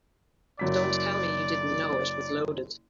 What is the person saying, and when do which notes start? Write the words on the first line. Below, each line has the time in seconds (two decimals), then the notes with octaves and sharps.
Don't tell me you didn't know it was loaded.
0.59 F#1 F#3 D5 B6